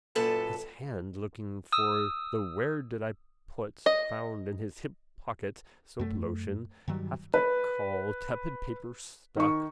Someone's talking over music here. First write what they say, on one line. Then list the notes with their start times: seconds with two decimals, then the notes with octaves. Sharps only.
His hand looking for the where did I put found in his hip pocket soap lotion have to call tepid paper stuck.
0.15 F#2 A#2 A4 B4 A5
1.72 D#6 E6
3.86 D#5
5.99 F#2 A3
6.88 G2 D#3 F#3 G3
7.34 B4
9.37 D#3 C#6